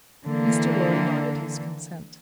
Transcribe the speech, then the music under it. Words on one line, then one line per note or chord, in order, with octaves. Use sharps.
Mr. Lorry nodded his consent.
D3 E3 A#3